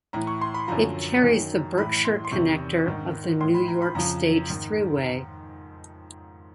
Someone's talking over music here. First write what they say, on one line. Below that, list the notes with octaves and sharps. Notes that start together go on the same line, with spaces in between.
It carries the Berkshire Connector of the New York State Thruway.
A2 E3 A#5
C#6
C6
B5
F#2 D3 F3 A#5
F#2 D#3
A2 E3 B5
C6
C6
E2 C3 D#3 C#6
G#2 D#3
A2 E3 C6
B5
A#5
B5
F2 C#3 F3 A#5
G#2 D#3